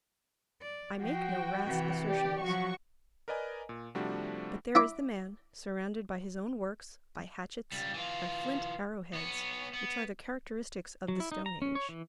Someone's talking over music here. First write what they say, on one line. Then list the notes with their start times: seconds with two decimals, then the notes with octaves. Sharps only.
I make no rash assertions; but there is the man surrounded by his own works, by hatchets, by flint arrow-heads, which are the characteristics of the stone age.
0.62 D5
0.99 F3 F#4 G5
1.65 C3 E3
2.05 G4 D5
2.44 F3 F#3 F#4 C#6
3.28 A#4 B4 D5 D#5 G#5 A#5
3.69 A#2
3.95 C3 F3 G3 A3 D4 F#4
4.75 E4 E5 D6
7.72 C#2 G3
7.94 E3 F4
9.13 B3 C#5
9.73 B3
11.08 F#3
11.20 E4
11.32 D#4
11.46 A#5
11.62 C#4
11.75 C#5
11.89 E3